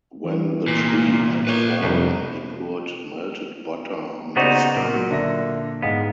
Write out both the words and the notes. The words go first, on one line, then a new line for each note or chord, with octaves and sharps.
When the tree had fallen, he poured melted butter on the stump.
E3
C2 A#2
A#2 B4 C#5
C2 F2
C#3 B3 D#4 F#4 C5 D5
A#2
F#3
D3 E5 A#6
G#2 G#3 B3 F5